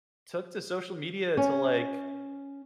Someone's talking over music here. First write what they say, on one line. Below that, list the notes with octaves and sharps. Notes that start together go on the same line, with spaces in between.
took to social media to, like,
C#4